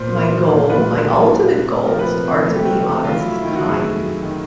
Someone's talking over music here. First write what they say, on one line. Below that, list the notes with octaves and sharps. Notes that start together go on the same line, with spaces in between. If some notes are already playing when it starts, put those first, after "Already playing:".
my goal my ultimate goals are to be honest, kind,
Already playing: A#2 C5
A#3
F#3
A#2
A#2 B4
A#3
F#3
A#2
C3
A3
F3 A#4
B4
C3
C3 C5
A3 A4
G4
F3 F#4
C3
A3 F4
E4
F#3
E4
D#3 E4
F#4
F#2
G#4
A3
F#3
D#3